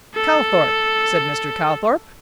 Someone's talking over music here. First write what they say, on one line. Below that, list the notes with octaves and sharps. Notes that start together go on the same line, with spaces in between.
"Calthorp," said Mr. Calthorp.
A4